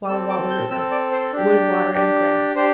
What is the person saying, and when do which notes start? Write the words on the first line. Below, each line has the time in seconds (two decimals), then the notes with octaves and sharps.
Wallah Wallah River.--Wood, water, and grass.
0.08 C4 A4 E6
0.29 D6
0.50 G6
0.70 C4 E6
0.74 A4
0.91 D5
1.11 C5
1.32 D4 G4
1.94 D4 G4
2.55 D4 G4 C5